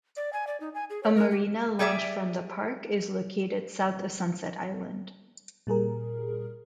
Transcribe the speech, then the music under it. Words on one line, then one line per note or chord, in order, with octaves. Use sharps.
A marina launch from the park is located south of Sunset Island.
D5
G#5
D5
D#4
G#5
G#4
C#5
A#4
G4
G3 G#4 D5 E5
A#2 G3 G#4 A#4